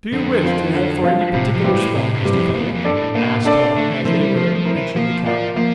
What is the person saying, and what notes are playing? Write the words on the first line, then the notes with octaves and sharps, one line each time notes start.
"Do you wish to head for any particular spot, Mr. Fenwick?" asked Tom, as they were entering the cabin.
F2 D3
F3 C4 F4
D3
F3 C4 F4
A2 C3
F2
E3 G3 C4 G4
A2
A2 C3
G2
E3 G3 C4 G4
F2
E2 A#3
F2
D4 A4 D5
A2
A2 A#3
C3 D4 A4 D5
D3 A3
E3
F3 C4 E4 A#4
G3
F3 A3
F3
C4 E4 A#4
E3
F3 A#3
F3 F4 A#4 D5
F3 A#3